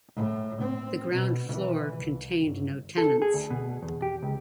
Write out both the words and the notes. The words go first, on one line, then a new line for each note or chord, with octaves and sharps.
The ground floor contained no tenants.
A2
C4
B2
E3
C2
G1
A4
G#4
D2
B2
E2
G4
C#2